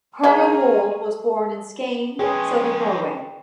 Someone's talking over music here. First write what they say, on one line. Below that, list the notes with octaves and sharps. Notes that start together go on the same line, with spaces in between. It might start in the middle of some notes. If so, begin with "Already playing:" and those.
Herman Wold was born in Skien, Southern Norway.
D#3 F3 C#4 G#4 A#4 C#5 D#5 A#5
F3 G#3 C#4 G#4 B4 C#5 G5